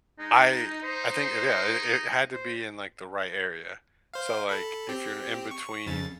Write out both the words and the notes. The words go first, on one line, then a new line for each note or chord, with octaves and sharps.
I I think it yeah, i it had to be in, like, the right area, so, like, if you're in between,
G#3 D#4
D#4 C5
C5
C5 F5
A4 B5
C4 G4
C#6
F2 C#3 A6